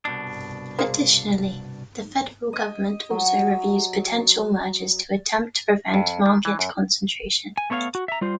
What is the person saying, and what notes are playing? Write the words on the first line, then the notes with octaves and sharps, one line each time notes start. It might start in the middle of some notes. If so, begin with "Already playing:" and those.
Additionally, the federal government also reviews potential mergers to attempt to prevent market concentration.
C2 B2 D4
G#3 A#3 C5
D#5
F#3
F2
D#3
E3
F#2
G#5
A3 B3 C#5 E5 F5
F#4
E5 A#5
G3 F4 C5